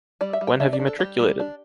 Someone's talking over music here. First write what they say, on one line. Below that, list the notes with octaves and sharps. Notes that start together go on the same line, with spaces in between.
When have you matriculated?
G3 D5
E5
G3
G5
D4 E5
D5
D4
A4
G3 G4
G3
D4